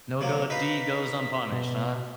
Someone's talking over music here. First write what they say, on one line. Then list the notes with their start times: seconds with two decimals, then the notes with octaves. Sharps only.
No go deed goes unpunished, huh?
0.21 C3 F#3 A#3
0.50 D#4 B4 F5 B6
1.52 B2